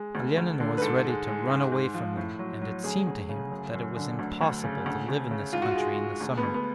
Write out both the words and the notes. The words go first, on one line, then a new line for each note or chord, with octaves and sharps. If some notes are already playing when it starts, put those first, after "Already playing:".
Olenin was ready to run away from them and it seemed to him that it was impossible to live in this country in the summer.
Already playing: G#3
D2
D2
D3
B4
G#2 A4
G#3
G#3
G#2
G#2
F3
A2
F#3
F#3
D2 G#4
D2
C#3
F#2
F#2
D3
D2
D2
C#3
D2
D2
C#3
G#2 F4
F#4
G#3 F4
G#3
D2
B3
D2
B3